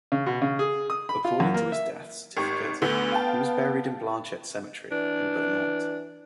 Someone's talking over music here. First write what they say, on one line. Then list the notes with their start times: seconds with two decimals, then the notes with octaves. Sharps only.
According to his death certificate, he was buried in Blanchette Cemetery, in Beaumont.
0.12 C#3
0.26 B2
0.42 C#3
0.59 G#4
0.90 D#6
1.09 B5
1.25 F4
1.40 F#2
1.54 A#3
1.72 E5
2.37 G#1 G4 C#6
2.82 D2 D3 A3 B3
3.11 F5 G5 A5
4.91 E3 D4